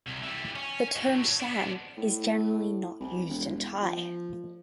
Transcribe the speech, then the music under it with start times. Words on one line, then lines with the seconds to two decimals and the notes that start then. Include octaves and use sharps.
The term Shan is generally not used in Thai.
0.08 C2
0.23 E3 G3
0.56 C#4
0.96 A2 F#3
1.40 B3 D4
1.97 A2
3.00 C2
3.29 E1
3.82 F3